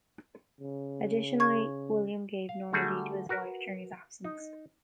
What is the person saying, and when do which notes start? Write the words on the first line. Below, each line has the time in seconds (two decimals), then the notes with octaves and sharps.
Additionally, William gave Normandy to his wife during his absence.
0.60 C#3
1.40 C#6 G#6
2.49 F5
2.73 D3 G3 A3 F#4 G#4
3.29 F#4 A#4 B4
4.24 D#4